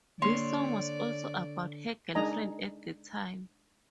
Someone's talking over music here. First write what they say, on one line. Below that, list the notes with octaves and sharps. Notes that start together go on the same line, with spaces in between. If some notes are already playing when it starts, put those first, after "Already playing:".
This song was also about her girlfriend at the time.
D3 A#3 C#5 D5 C6
G#3 D4 D#4 D#5 G#5 A#5